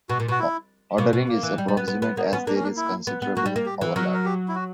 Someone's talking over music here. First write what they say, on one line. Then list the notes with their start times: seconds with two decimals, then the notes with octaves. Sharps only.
Ordering is approximate, as there is considerable overlap.
0.09 B2 F#4
0.20 A#2
0.28 B2 F#4
0.39 E4
0.98 B2 A#3
1.13 B2
1.28 A#3
1.43 E3
1.58 G3
1.68 G3
1.77 B3
1.88 B3
2.02 B3
2.17 A#3 B3
2.32 B3 C#4
2.47 A#3 D4
2.55 C#4
2.63 D4
2.77 E4
3.07 B3
3.22 B3
3.36 A#3 F#4
3.46 G3
3.56 A#3
3.66 G4
3.81 E3
3.96 F#3 A#4
4.14 A#4
4.25 G4
4.48 E4
4.55 F#4